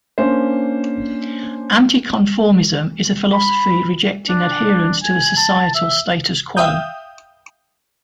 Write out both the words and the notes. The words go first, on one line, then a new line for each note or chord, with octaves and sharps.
Anticonformism is a philosophy rejecting adherence to the societal status quo.
A#3 C#4 D4 C5
B5
D4
G#5
A5
E5
E5 F5 G5 D#6 G6